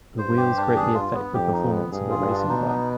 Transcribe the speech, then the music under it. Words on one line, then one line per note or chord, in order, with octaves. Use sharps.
The wheels greatly affect the performance of a racing bike.
G2 C5
G4
D4
G#4
F4
B3
F2 G4
D#4
B3
G2 G#4
F4
G2
D4
B2 D#4
B3